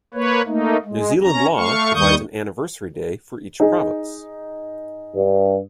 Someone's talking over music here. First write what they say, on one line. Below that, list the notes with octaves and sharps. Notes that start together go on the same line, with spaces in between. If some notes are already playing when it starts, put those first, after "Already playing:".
New Zealand law provides an anniversary day for each province.
A#3 B4 C#5
A3 A#3 D#4
G#3
C#4 A#5
A3 F5 C#6
D#2 D#3 G3 C#6 D#6 G6
D#4 G#4
G2